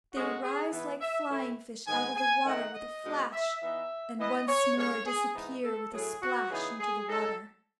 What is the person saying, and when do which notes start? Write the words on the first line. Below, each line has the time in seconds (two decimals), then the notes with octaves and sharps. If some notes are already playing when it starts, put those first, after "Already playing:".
They rise like flying-fish out of the water with a flash, and once more disappear with a splash into the water.
0.13 A2 G#3 C#4 F#4
0.42 G#4
0.71 E3 B3 E4
1.01 E5
1.29 A2 E3 A3 E4
1.87 G#2 D#3 G#3 B3 G#5
2.16 G#5
2.45 D#3 A3 D#4 F#5
2.74 D#5
3.03 B2 G#3 D#4
3.32 E5
3.61 E3 B3 D#4 E5
4.18 E3 B3 E4 D#5
4.48 C#5
4.77 A2 G#3 C#4 C#5
5.06 G#4
5.34 G#2 E3 B3 D#4
5.64 A4
5.93 A2 F#3 A3 G#4
6.22 F#4
6.50 C#3 E3 B3 D#4 G#4
6.79 G#4
7.08 C#3 G#3 D#4 A4